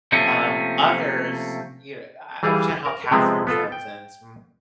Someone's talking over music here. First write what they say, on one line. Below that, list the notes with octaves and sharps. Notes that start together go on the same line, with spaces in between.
um, others, you kn I understand how Katherine, for instance, mm
C3 F3 A3 A#3 C#4
E3 G3 G#4 F5
A#4
C3 F3 G#3 B3 C4
B3 F4 A4
G5